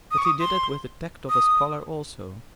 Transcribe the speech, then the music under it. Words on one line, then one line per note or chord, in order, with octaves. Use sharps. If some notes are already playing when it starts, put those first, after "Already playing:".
But he did it with the tact of a scholar also.
D#6
C#6
D#6
C6
D#6